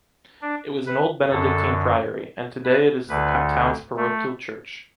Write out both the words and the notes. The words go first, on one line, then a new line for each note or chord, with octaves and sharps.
It was an old Benedictine priory, and today it is the town’s parochial church.
D4
B4
F#2 D3 A4
B4
D2 D3 B4
A3